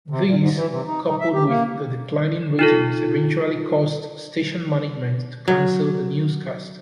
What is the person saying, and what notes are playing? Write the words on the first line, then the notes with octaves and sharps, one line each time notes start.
This, coupled with the declining ratings, eventually caused station management to cancel the newscast.
C3
A#2
G#2
E3
C3
D#4
D#4
E5
G4
A#3
D#4 F4 A4
F#3